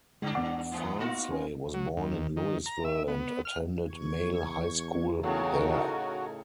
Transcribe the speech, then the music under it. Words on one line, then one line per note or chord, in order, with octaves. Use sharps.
Farnsley was born in Louisville and attended Male High School there.
G2 D3 G#3 D4
E2 F#5 D6
G#2 E3
B3 D#4 F4 F#4
C#4 B4
F#3
D#2
D#3
A#5
E5
B3
F6
E2 C#6 G#6
A2 C#3 D#4 F#4 A4 A#4